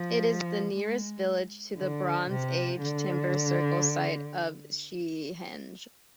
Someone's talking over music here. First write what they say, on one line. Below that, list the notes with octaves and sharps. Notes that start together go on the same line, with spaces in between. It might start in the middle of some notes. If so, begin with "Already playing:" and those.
It is the nearest village to the Bronze Age timber circle site of Seahenge.
Already playing: F3
G#3
D3
C3
D3